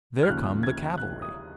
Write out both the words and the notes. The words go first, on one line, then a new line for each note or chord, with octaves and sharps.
"There come the cavalry."
F6
D#2 C#3 F3 F#6
G#6
F#6
D#6